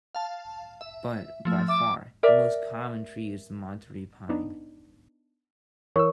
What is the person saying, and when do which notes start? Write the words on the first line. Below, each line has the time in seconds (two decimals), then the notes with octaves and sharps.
But, by far, the most common tree is the Monterey pine.
0.15 F5 A5
0.81 E5
1.45 F3 A3
1.68 E5 D6
2.23 A#4 D5 E5
4.29 B3 D4 D#4
5.96 E3 A#4 C#5 C#6 E6